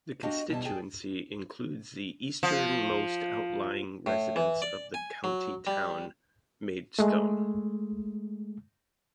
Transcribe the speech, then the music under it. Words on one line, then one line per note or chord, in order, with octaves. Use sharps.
The constituency includes the easternmost outlying residents of the county town, Maidstone.
D4 F#4 G4 D#5 F5
B2 G3 E4 A5
G#4 D5 G5 A5
F3
A2
E3
D5
G#5
F#3
G3
G#3 A3